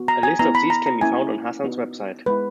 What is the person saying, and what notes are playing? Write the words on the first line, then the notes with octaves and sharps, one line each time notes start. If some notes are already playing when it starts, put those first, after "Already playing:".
A list of these can be found on Hassan's website.
Already playing: B3 F#4
A#5
G#5
B3 E4 A#5
B5
A#5
A#5
A#3 C#4 E4 G#5
B3 D#4 F#4
G#3 B3 E4 B4